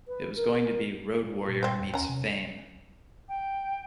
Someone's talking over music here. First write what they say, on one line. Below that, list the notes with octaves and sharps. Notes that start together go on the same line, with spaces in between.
It was going to be Road Warrior meets "Fame".
B4
A#4
A#2
C4 C5
E2
D#2 C#4 A#5
C3
G5